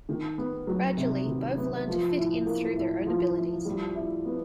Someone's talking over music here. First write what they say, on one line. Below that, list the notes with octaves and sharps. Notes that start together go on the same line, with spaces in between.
Gradually, both learn to fit in through their own abilities.
D#3
B3
F#3
C3
D#3
B3
F3
A2
A#3
A2
F3
A2
G3
E4
B3